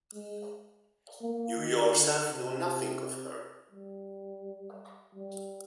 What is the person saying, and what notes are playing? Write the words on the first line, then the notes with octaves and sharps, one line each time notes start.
You yourself know nothing of her.
G#3
A#3
D#3
D3
C3
G3
G3